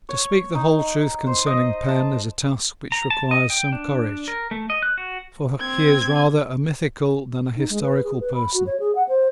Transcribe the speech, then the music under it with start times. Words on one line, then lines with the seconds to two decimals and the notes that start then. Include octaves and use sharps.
To speak the whole truth concerning Penn is a task which requires some courage; for he is rather a mythical than a historical person.
0.09 C#5
0.55 D#4
1.27 C5
1.47 D#5
1.88 A5
2.92 A#5
3.10 A5
3.31 D#5
3.50 G5
3.73 D4
4.28 A#4
4.51 A3
4.70 D#5
4.83 F#6
4.98 F#4
5.61 C4 G#6
7.57 D#4
7.70 G#3
7.82 B4
8.04 G#4
8.20 B4
8.35 B5
8.54 F#4
8.67 C#5
8.80 G#4
8.95 F#5
9.09 C5